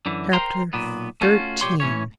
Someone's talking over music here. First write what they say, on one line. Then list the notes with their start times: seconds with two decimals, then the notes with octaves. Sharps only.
Chapter XIII.
0.06 F#2 D3 E3
0.33 A#4 C5 G5 A#5 C6
0.73 B1 A#2 B3
1.21 A3 C#4 F4 F#4
1.61 B1 A#2 C#3 G4 C#5 C6
1.80 A2 E3 C#4 C#5